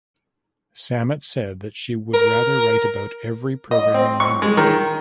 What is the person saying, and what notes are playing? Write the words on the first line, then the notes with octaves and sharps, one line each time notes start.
Sammet said that she would rather write about every programming language.
A#4
D#5
C4
C#6
G#3
D#3